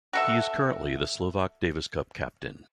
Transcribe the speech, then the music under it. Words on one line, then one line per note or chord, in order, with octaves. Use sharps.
He is currently the Slovak Davis Cup captain.
F#4 A4 E5